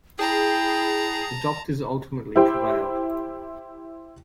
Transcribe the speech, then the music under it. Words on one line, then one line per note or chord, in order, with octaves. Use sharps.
The doctors ultimately prevailed.
E4 G#4 G5 A5 A#5
E4 G4 C5 G5